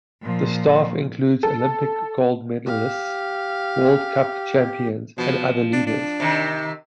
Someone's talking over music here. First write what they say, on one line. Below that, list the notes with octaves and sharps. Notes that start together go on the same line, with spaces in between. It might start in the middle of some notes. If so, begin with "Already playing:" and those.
The staff includes Olympic gold medalists, World Cup champions and other leaders.
A#2 F3
A4
G4 F5
B2 F3
D4
D4
C3 D#3